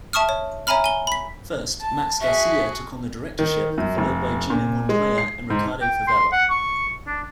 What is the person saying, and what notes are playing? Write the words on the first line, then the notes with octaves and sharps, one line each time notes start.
First, Max Garcia took on the directorship, followed by Gina Montoya and Ricardo Favela.
E5 A5 C#6 D#6 F6
C#5
C#5 E5 G#5 A#5 B5 F6
G#5 G7
B5 B6
A5
F#4 G#4 E5
D#3
F#2
F1
A#2
G#3
C7
G#2
G5
C6
F#5
C#6
D4